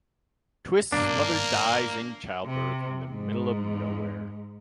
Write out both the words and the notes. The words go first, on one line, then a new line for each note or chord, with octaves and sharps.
Twist's mother dies in childbirth in the middle of nowhere.
G#1 G2 B2 A#3 D4
C3
G#2